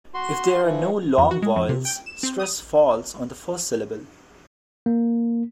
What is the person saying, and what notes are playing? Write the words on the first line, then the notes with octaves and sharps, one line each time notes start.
If there are no long vowels, stress falls on the first syllable.
F#4 C6
E3 F3
F2
F#4
G#3
F2
C3
G5
E7
C4
D#6
A#3